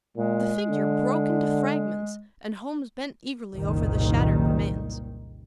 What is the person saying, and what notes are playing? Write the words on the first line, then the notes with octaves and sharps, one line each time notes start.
The figure broke into fragments, and Holmes bent eagerly over the shattered remains.
A#2 G#3
D3
F#1 C2 A#2 D#3